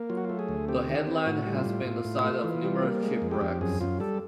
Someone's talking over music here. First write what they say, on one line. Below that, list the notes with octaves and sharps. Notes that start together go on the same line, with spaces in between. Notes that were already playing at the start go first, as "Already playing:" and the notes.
The headland has been the site of numerous ship wrecks.
Already playing: A#3
F#3 F4
F#4
A3 F4
G#4
D2
C4 G4
D#3
C4
A2 F#4
G3
F4
A2
A2
A2
A3
E3
G3
A#3
G#3
F2
G4
F2
F#2 G#4
F#2 F4
G3 A4